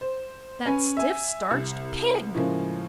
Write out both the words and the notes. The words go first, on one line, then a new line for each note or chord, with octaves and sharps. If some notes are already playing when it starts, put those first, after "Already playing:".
'That stiff-starched PIG!'
C5
C#4 B4 G#5
E5 G#5
C2
A2 C#3 F3 G#3 A#3